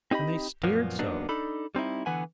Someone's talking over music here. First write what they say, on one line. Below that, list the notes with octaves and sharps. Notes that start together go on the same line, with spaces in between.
And they stared so!
C4 D#4 G4 D#5 B5
F#2 A#2 F3 A#3 B3
F#3 A#3 B3 D4 D#4
D4 D#4 A4 B5
G3 C4 D#4 E4
D3 E3 B3 B4 F#5 G#5